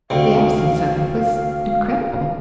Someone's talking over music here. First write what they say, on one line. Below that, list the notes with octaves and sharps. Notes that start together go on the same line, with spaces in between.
The absence of it was incredible.
D2 C3 F5